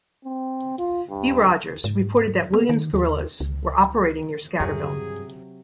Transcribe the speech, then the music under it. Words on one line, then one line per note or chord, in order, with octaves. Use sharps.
B. Rogers, reported that "Williams Guerillas" were operating near Scatterville.
C4
F4
G2
G#2
B3
D#3
D#2
C#2
E2 G2 C3 F#3 G#4